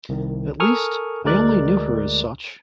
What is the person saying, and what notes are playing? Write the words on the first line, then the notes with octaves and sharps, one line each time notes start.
At least, I only knew her as such.
C2 D#3
A4 A#4 G#5 C#6 D#6 F6
D2 G#3 A#4 D5 F#6